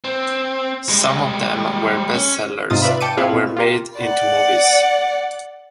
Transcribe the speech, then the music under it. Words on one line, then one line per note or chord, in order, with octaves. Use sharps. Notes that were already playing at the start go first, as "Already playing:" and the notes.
Some of them were best-sellers and were made into movies.
C4
G3 G#3
C#4
G#2 C3 D#4 F4 D#6 A6
B4 D5 E5 F5 B5
G5 A5 D6 C#7 D#7
C4 F4 G#4 E5 F5 B5
B2
F4 G4 A#4
D5 F#5